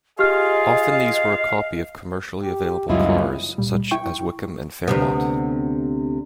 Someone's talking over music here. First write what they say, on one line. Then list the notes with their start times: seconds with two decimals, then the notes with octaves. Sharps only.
Often these were a copy of commercially available cars, such as Wickham and Fairmont.
0.19 F4 G4 G#4 D#5 F5 F6
2.42 G4
2.89 C#2 F#2 F#3 G3 E4 F4 D#5
3.58 C#2 A#2 G3
3.91 E4 G5 C#6
4.88 D2 C3 B3